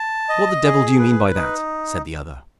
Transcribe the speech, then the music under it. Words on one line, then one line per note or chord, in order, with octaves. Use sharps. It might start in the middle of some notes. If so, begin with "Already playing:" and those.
"What the devil do you mean by that?" said the other.
Already playing: A5
D#5
G#4
B4
D#4